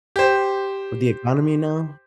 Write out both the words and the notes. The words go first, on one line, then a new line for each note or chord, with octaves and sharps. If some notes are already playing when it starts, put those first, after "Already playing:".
With the economy now?
G4 C5